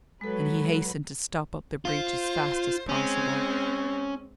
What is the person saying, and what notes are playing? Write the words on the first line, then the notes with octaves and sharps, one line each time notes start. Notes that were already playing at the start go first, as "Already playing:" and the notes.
And he hastened to stop up the breach as fast as possible.
F#3 G#3 A4 B4
F4 C5
G#3 C4 C#4